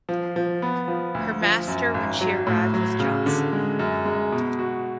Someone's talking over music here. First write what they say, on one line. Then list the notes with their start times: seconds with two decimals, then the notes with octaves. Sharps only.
Her master when she arrived was Johnson.
0.09 F3
0.36 F3
0.62 B3
0.88 F3
1.14 D2
1.41 F3
1.68 F#2
1.94 G#1
2.21 F#3
2.47 A2
2.74 F#3
3.00 C#3
3.26 D3
3.52 G#3
3.79 F#2
4.05 G#3
4.32 B2
4.59 F#4